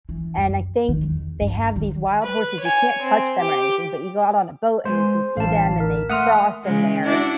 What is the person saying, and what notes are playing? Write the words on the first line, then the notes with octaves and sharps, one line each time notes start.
and I think they have these wild horses you can't touch them or anything, but you go out on a boat, and you can see them, and they cross, and they're,
E3
F#2
D#3
E2
G2
D#3
B4
C#5 G#5
C4
G4
G#3 B3 G#4 C5
A1 D2 E3 C#4 F5 A5
A#4
A3 A#3 E5 F#5 C6 D#6 F6
C#3 G#3
D4 E4 F#4